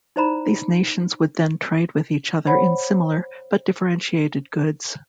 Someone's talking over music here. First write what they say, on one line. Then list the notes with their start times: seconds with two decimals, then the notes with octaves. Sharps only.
These nations would then trade with each other in similar, but differentiated goods.
0.16 D#4 E4 C5 D5 A#5 B5
2.47 C5 C#5 F#5 B5